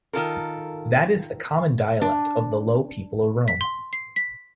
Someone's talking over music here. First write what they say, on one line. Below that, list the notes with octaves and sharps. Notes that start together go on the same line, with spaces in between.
That is the common dialect of the low people of Rome.
D#3 F4 A4 A#4
D4
B6
C6
C7
B6